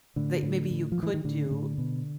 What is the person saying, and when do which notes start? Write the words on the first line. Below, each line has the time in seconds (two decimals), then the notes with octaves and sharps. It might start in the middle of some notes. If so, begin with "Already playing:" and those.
that maybe you could do
0.16 A2 D3
0.43 A2
0.70 A2
0.92 F3
0.97 A2
1.03 E3
1.14 D#3
1.24 A2 D3
1.51 A2
1.78 B2